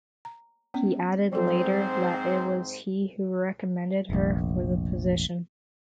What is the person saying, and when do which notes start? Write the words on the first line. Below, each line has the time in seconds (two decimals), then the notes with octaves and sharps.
He added later that it was he who recommended her for the position.
0.25 A#5
0.74 B3 C#4
1.33 G#2 F#3 C4 A4 C5
4.10 F1 A#1